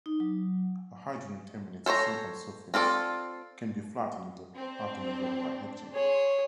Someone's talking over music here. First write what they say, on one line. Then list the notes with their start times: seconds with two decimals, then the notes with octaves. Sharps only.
A hydrogen-terminated silicon surface can be flattened at the atomic level by etching.
0.06 D#4
0.20 F#3
1.86 A4 C5 C#5 A#5
2.74 C4 F4 A4 D5
4.55 C4 D4
5.93 G#4 C#5 C6